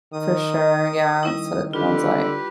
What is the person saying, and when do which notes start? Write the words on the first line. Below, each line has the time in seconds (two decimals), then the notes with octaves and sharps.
For sure, yeah, so, that sounds, like
0.13 D#3 D#6
1.23 D#3 G3 C#4 E4
1.73 D3 F4 G4 B4